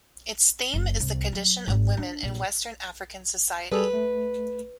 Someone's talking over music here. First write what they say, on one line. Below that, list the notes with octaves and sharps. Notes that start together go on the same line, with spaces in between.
Its theme is the condition of women in Western African society.
F#1
C2
F#3
G#1
D4
A#1
G3 G#4 A4 B4
A3